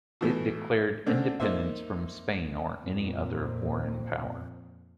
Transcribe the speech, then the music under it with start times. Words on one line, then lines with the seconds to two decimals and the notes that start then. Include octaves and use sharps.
It declared independence from Spain or any other foreign power.
0.21 B2 E3 A3
1.06 D3 A3 C4 C#4
1.40 A#3 D#4 C5 E5
2.83 F2 A#2 A#3 C4